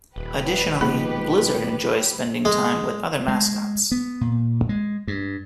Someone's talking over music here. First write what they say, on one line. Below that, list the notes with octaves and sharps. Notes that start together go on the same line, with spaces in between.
Additionally, Blizzard enjoys spending time with other mascots.
D#1 F3 G4 B4
B2 D#3 G#3 A#3 B5
G#3
G#3
B3
A#2
G#3
G2